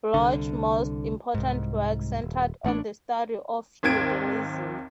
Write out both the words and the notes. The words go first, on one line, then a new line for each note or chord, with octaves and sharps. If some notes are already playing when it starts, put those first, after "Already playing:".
Bloch's most important work centered on the study of feudalism.
C2 D3
C2 G#2
D#1
A1 A3 C4 D4
G#1 D#2 C4 G#6 D7